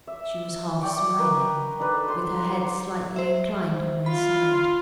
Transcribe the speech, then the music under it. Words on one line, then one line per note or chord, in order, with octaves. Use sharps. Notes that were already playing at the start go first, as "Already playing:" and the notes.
She was half smiling, with her head slightly inclined on one side.
E5
D5 G5 C#6 D6
A#4 B4 D#5
D4 D#4 A4 B4
C5 B5 C6
C5 E5
F4 B5